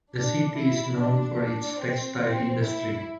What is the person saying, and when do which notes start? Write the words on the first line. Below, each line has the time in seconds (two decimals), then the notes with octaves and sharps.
The city is known for its textile industry.
0.13 D4
0.55 E4
0.97 D4
1.39 D4
1.79 C4
2.21 C4
2.62 E4